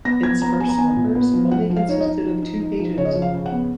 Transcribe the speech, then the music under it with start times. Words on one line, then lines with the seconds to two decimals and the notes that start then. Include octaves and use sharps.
Its first numbers only consisted of two pages.
0.05 B3 A#6
0.23 F3 G#6
0.42 B3 A#5
0.60 B3 G#5
0.69 A#5
0.78 B3 G#5
0.97 A#2
1.15 B3
1.33 F3
1.51 F3 F#5
1.70 F3
1.76 F5
1.89 D#4 C#5
2.01 D#5
2.06 D#4
2.24 F3
2.42 D#4
2.60 D#4
2.79 F3
2.97 C#3 C#5
3.05 D#5
3.12 C#5
3.15 F3
3.22 F5
3.34 C#3
3.46 F#5
3.52 B3